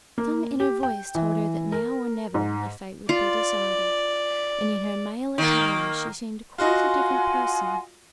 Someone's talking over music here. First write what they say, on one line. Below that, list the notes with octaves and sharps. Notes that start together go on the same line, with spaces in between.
Some inner voice told her that now or never her fate would be decided, and in her male attire she seemed quite a different person.
A#3
G4
G5
E3
A#4
G#2
F4 D5
D#3 A#3
F4 F#4 D#5 F#5 G#5 C6